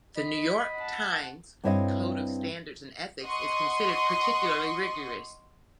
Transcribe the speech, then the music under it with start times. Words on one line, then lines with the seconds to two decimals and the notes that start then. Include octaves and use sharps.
The "New York Times" code of standards and ethics is considered particularly rigorous.
0.17 D#5 B5
0.77 F#5 A5
1.64 G2 C4 E4 C#5 D#5 F5
3.22 D#5 F#5 C6 C#6 D#6